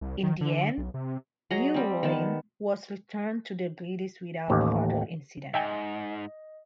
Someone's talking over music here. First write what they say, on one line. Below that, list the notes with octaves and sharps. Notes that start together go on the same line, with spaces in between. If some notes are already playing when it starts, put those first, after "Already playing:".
In the end "Newlyn" was returned to the British without further incident.
C2
D#3
D3
B1
C3
F#3 G#4 D#5 A#5
G3 C4
D#3 B3 A5
A1 D#2
G#2 D#5 E5 G5 G#5